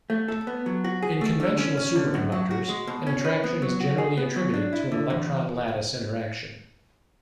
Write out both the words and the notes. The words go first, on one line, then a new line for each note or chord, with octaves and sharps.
In conventional superconductors, an attraction is generally attributed to an electron-lattice interaction.
A3
A4
B3
F#3
F#4
G#4
A3
D3
C#4
C#4
D3
F#2
F#3
F#4
G#3
B2
C#4
B4
B3
F#3
F#4
G#4
B3
F#3
D4
E4
D3
E2